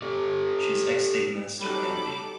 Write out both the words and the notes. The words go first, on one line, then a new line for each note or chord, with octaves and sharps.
She is ex state minister Md.
G4 A4 D5
F#3 G3 D#4 A4 B5 D6